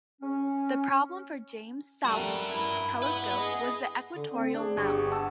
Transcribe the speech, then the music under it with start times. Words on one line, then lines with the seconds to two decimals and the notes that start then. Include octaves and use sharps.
The problem for James South's telescope was the equatorial mount.
0.21 C#4
2.05 G3 A3 F#4 A#4
2.47 G2 E4
3.02 B4 F#5
3.38 G#4 D#5
4.16 D3
4.31 C4
4.54 D4 G#4
4.77 G1 G4 C#6
5.11 F#5 A5 E6